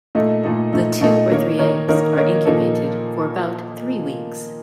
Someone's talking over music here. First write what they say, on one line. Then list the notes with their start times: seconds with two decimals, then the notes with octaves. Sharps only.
The two or three eggs are incubated for about three weeks.
0.15 A#2 A3 D#4 A4 D#5
0.43 A#2 A3 D#4 A4 D#5
0.72 A#2 A3 D#4 A4 D#5
1.01 A#2 A3 D#4 A4 D#5
1.30 D#3 A#3 D#4 A#4 C#5
1.59 D#3 A#3 D#4 A#4 C#5
1.88 D#3 A#3 D#4 A#4 C#5
2.16 D#3 A#3 D#4 A#4 C#5
2.45 A#2 F3 A#3 D#4 A4